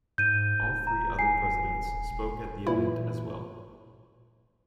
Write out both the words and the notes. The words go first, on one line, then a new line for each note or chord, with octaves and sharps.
All three other presidents spoke at the event as well.
G#2 G6 D#7
D#1
A#5
G#5 C7
E1
A#2 E3 E4